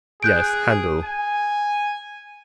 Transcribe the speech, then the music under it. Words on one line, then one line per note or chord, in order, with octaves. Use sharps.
Yes. Handel.
G#4 F#6 G6 D7
G#5